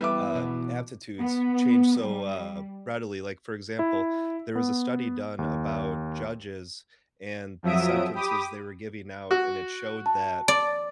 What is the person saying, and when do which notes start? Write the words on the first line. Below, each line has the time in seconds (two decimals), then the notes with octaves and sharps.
uh, aptitudes changed so, uh, readily, like, for example, there was a study done about judges and the sentences they were giving out, and it showed that
0.01 E2 G3 B4 E5 D6
0.35 B2
1.20 B3
1.99 G3
3.79 E4
4.55 B3
5.39 D#2
7.63 F2 F3 F#3 E5 D#6 D7
8.14 G4 B5 D6 D#6
9.31 F#4
10.06 A5
10.48 D5